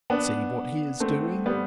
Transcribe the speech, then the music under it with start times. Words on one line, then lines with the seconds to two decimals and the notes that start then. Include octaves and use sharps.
See what he is doing.
0.10 B3 D4
1.00 A3 C4
1.46 G3 B3